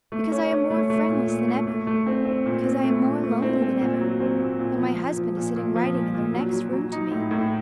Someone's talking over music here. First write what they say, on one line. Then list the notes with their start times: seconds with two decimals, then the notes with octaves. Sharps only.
Because I am more friendless than ever; because I am more lonely than ever, though my husband is sitting writing in the next room to me.
0.12 A3
0.32 C#4
0.51 C#4
0.70 A3
0.90 A3
1.09 A#2
1.29 A#2
1.48 A3
1.67 A3
1.87 A3
2.06 C4
2.25 C4
2.46 A#2
2.65 C4
2.84 A3
3.04 A#2
3.23 A3
3.42 C4
3.62 C4
3.82 A#2
4.01 F#3
4.20 C4
4.39 A#2
4.59 A#2
4.78 F3
4.98 A#2
5.17 F3
5.37 A#2
5.56 A#2
5.76 F3
5.95 A#2
6.14 A#2
6.34 F#3
6.53 F#3
6.73 F#3
6.92 D#4
7.11 A2
7.31 A2